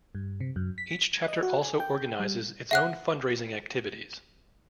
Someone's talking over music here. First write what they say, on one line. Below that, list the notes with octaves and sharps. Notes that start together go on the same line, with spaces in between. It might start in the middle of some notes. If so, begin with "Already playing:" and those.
Each chapter also organizes its own fundraising activities.
G2
C3
F#2
B6
G#6
D#5
F#4
G#5
G5
G3
E5 F#5 F#6